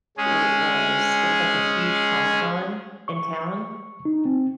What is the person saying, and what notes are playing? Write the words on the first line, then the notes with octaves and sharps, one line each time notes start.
it was there was, like, a huge Comic Con in town.
G#3 C#4 G#4
C#6
D#4
C4